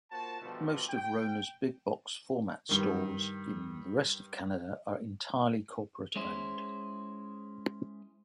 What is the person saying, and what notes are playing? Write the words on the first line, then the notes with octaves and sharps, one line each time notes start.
Most of Rona's big-box format stores in the rest of Canada are entirely corporate-owned.
A#3 F4 F#4 C5 A5
B2 D3 D#3 F3 G3 A3
G5
G2 D#3
G#3 C#4 E4 C5